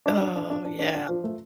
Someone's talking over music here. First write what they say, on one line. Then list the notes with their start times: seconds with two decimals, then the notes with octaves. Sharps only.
Oh, yeah.
0.06 D4
0.21 D4
0.36 D4
0.50 D4
0.65 D4
0.79 D4
0.95 D4
1.09 F3
1.24 A3